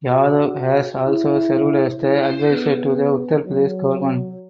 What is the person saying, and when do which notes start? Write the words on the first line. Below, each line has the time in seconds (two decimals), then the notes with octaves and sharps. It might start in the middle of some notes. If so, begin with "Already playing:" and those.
Yadav has also served as the advisor to the Uttar Pradesh government.
0.12 F#4
1.07 E4
2.03 E4
2.50 B3
3.46 F#3